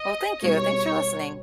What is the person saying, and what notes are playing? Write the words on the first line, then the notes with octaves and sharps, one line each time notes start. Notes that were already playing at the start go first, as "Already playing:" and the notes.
Well, thank you. Thanks for listening.
Already playing: D#5
B2 G3 B3 D#4 G#4 C#5